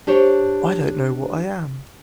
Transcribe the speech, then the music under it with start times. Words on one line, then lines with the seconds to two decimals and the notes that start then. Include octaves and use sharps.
I don't know what I am.
0.07 D4 G4 C5 C#5